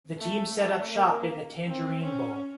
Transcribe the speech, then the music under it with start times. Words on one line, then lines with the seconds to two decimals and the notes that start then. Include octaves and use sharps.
The team set up shop in the Tangerine Bowl.
0.18 A3
0.55 A3
0.92 A#3
1.67 C4
2.04 C#4